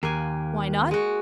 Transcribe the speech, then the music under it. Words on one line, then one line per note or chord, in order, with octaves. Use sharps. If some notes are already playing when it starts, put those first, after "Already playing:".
"Why not?"
D#2 A#3 G#5
G#3 F#4